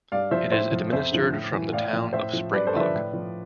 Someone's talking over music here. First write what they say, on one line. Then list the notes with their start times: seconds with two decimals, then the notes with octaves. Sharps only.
It is administered from the town of Springbok.
0.12 G2 D5 F5
0.31 F3 C5 E5
0.52 A2 C5 E5
0.72 F3
0.92 F2 C5 E5
1.12 D3 F3
1.33 A2
1.52 E3
1.72 A2 D5 F5
1.93 F3
2.13 A2 C5 E5
2.33 F3
2.53 G2 B4 D5
2.67 A4 C5
2.74 D3 F3 E5
2.80 B4 D5
2.94 A2
3.13 F3